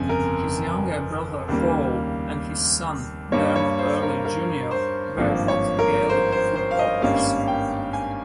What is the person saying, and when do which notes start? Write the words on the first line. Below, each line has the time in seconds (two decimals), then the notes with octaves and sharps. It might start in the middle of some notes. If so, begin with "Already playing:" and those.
His younger brother, Paul and his son, Dermot Earley Junior were both gaelic footballers.
Already playing: G1 F2 C#3 G#5
0.09 A#4
1.48 D#2 C#3 G3 A#3
3.32 G2 G3 A#3 C#5
3.56 C#5
3.79 C5
4.02 A#4
4.25 A#4
4.71 C5
5.17 G#1 G2 F3 A#3
5.48 C#5
5.79 A#4
6.10 C5
6.32 C5
6.56 C5
6.71 F5
6.79 D#5
7.01 G#1 G2 G3 A#3 C#4 F5
7.48 G5
7.93 G#5